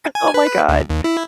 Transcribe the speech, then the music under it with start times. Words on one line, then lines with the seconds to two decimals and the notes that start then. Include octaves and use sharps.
Oh my god.
0.15 G#5
0.34 B4
0.68 D2
0.90 D#2
1.04 E4